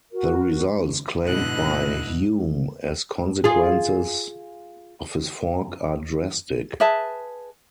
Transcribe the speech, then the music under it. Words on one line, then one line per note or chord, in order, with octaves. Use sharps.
The results claimed by Hume as consequences of his fork are drastic.
F#4 A#4
G#2 B2 D3 E4 D#5 F#6
F4 G#4
G#4 B4 E5 A5